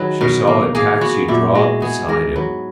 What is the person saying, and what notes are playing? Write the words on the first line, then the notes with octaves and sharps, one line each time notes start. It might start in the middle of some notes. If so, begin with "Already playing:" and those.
She saw a taxi draw up beside him.
Already playing: D#3 F#3 G#4 B4
B2 A#4
A#3
A#3 G#4
B3 F#4
A#2 E4
G#3 F#4
B3 G#4
G#2 A#4
F#3 B4